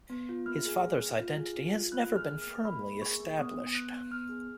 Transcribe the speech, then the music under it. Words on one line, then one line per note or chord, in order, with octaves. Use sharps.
His father's identity has never been firmly established.
B3
F4
A#3 F6
G#4
A#3
A#3
F4
G#4
F4
F4
A#3 F#6
G#4
F6
A#3
F6
A#3
A#3 B5
A#3
G#4 C#6
A#3
B3 D#6
B3
B3 F#6
B3
B3 F6
G#4